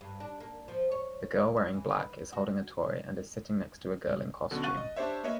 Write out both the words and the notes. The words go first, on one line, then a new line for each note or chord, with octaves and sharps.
The girl wearing black is holding a toy and is sitting next to a girl in costume.
G2
D4
A#3
F3
C#5
E4
E3
B4
F#4
B2 D3 F#3 C#4 F#4
F5 F#5 C#6 F#6 A6 D#7
D#5
D4 G4 C5 C#5 E5
A#3 B4 C#5 D#5 E5